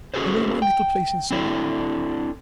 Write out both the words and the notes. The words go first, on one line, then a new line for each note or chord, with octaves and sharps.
You know my little place in Surrey?
C#4 F#4 G#4 A4 B4 C5
G5
C4 D4 E4 F#4 A4 D5